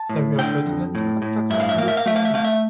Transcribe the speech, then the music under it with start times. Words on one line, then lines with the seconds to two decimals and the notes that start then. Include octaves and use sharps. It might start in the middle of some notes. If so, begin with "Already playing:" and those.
The real President contacts Looking Glass.
Already playing: A5
0.09 A2
0.38 D3 G5
0.66 F2
0.95 A2
1.22 A2
1.50 G2 E5
1.60 F5
1.69 E5
1.78 A#3 F5
1.88 E5
1.97 F5
2.06 A3 E5
2.16 F5
2.25 E5
2.34 A3 F5
2.45 E5